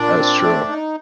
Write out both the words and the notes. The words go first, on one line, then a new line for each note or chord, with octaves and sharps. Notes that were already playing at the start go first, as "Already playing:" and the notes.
That's true.
Already playing: A#2 D4 D5
C4
A3
D#4